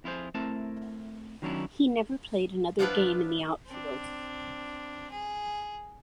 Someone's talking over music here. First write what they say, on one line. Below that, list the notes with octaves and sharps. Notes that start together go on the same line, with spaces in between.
He never played another game in the outfield.
F2 E4 F4 G#4 C5
A3 C4 E4 A#4 A5
D#3 F#3 C#4 D4 E4
F3 B3 D4 E4 F4 B4
C4 D4
G#4